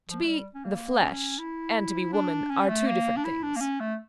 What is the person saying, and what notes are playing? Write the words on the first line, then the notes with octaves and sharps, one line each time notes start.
To be "the flesh" and to be woman are two different things.
F3
A3
G3
C#4
A#3
C#4
E4
D4
C#4
A3
A#3
D4
E4
D4
A#3
C#4
A3